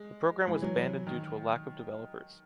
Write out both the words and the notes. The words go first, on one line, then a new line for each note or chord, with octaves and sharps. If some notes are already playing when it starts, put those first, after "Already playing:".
The program was abandoned due to a lack of developers.
Already playing: G#3
E3
F#3
D#3